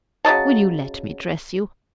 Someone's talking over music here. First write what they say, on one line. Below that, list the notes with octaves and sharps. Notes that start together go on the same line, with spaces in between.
Will you let me dress you?
C#3 F#3 D#5 A5